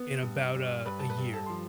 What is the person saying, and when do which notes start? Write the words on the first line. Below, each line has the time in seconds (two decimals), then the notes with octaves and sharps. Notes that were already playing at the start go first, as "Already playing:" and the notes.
in about a a year.
Already playing: B3
0.22 G2
0.55 G2
0.85 G2 B4 B5
0.99 A5
1.10 B4 B5
1.18 G2
1.33 A4 A5
1.46 F3 C6